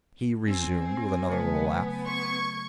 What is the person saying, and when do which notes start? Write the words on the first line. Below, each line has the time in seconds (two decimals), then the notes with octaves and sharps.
He resumed with another little laugh.
0.48 C4 G#5
1.30 C#3 F#3 A3 B3
2.06 C6 C#6 G#6 C#7